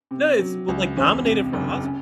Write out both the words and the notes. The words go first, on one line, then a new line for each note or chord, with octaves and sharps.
No, it's, well, like, nominated for Oscars.
C3
F#3
C#2
E2 C#4
C3
F#1
C#3